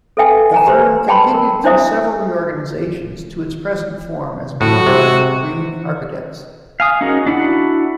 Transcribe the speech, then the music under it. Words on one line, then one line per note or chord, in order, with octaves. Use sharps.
The firm continued through several reorganizations to its present form as Muhlenberg Greene Architects.
A4 B4 E5 G5 G#5
D#5 G#5 A#5
G4 B4 C5
D#5 G5 A5 B5 C6
A#4
D4 E4 C5 D#5 E5 D#6
A2 F#4
C3
F5 G#5 D#6
C#4 D#4 F#4 G#4 A#4
D4 E4 F#4 F#5